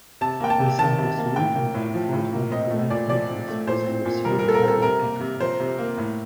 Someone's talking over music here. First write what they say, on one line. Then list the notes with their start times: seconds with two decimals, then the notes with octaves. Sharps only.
The song was written by frontman Grant Nicholas for their third album "Echo Park".
0.21 C3 A5
0.40 A#3 G5
0.50 A5
0.59 C3
0.79 D#3 A5
0.98 C3
1.17 A#3
1.36 A2 G5
1.55 A#3
1.74 A2
1.94 F3
2.13 A2
2.32 A#3
2.52 C4 D#5
2.71 A3
2.90 A#2 D5
3.09 F3 D5
3.29 C4
3.48 A3
3.67 A#2 C5
3.87 C4
4.05 A#2
4.25 G3 A#4
4.39 A#4
4.44 A#2 A4
4.54 A#4
4.63 C4 A4
4.82 C3 A#4
5.01 A#3
5.21 C3
5.40 F3 C5
5.60 C3
5.78 A#3
5.98 A2